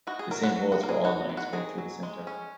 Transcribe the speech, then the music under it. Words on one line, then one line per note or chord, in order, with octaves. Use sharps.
The same holds for all lines going through the center.
D#4 F#4
G#4
F#3 A#4
F#4
F#3
F#4
A#3 A#4
G#4
D#4 F#4
D#3
F#4
D#3 G#4
F#3
G#3
C#4